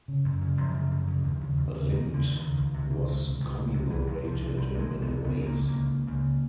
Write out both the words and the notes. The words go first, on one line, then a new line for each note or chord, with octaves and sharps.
Rindt was commemorated in many ways.
C#3
F#2
C#3
F#2 F3
C#3
F#2
C#3
D#2
C#3
D#2
C#3
D#2 D#3
C#3
D3
D#2
D#3
C#3
C#2
C3
C#2
C3
C#2
C3
C#2
C3
C2 E3
C3
C2 F3
C3
C2 G3
C3
G#3
C2
B3
C3
C#2 B3
C#3
A#3
C#2
A#3
C#3
C#2
C#3